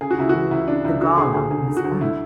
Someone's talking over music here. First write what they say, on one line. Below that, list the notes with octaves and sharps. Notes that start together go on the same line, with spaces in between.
The Gala was fun.
C#3 G#4
F#4
C#2 E4
E3 F#4
C#2 E4
C#3 D4
C#2 E4
D3 F#4
D2 G#4
D2 G#4
D3 G#4
D3
F#4
D2
D3 E4